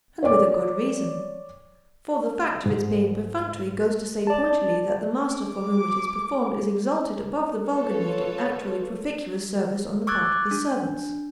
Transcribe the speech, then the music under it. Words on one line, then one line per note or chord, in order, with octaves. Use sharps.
And with a good reason, for the fact of its being perfunctory goes to say pointedly that the master for whom it is performed is exalted above the vulgar need of actually proficuous service on the part of his servants.
C#5 D5 D6
G#2
D5 A5
D6
F4 A4 B4 C#5
C#6 D6 E6 F#6 G#6 A6
D4